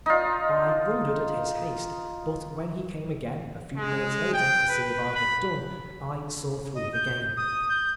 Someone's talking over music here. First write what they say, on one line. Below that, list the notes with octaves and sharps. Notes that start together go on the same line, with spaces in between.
I wondered at his haste, but when he came again, a few minutes later, to see if I had done, I saw through the game.
D#4 F4
G#3
G5
B4
B5
D#5
G6
D#6
G6